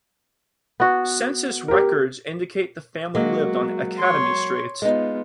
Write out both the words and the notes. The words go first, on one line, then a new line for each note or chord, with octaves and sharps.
Census records indicate the family lived on Academy Street.
B3 F#4
G4 A#4
F#3 G#3 A#3 F#4
C#5 C6
G#3 B3 D#4 F4